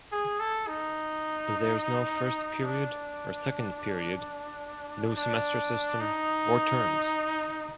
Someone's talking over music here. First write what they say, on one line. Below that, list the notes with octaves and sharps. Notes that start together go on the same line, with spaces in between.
There's no first period or second period, no semester system or terms.
G#4
A4
D#4
D4
D4
D#4